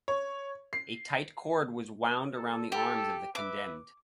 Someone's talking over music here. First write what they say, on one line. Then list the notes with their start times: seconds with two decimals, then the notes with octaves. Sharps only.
A tight cord was wound around the arms of the condemned.
0.08 C#5
0.73 C7
2.33 A4
2.72 G4 A4
3.35 B4 E5 D6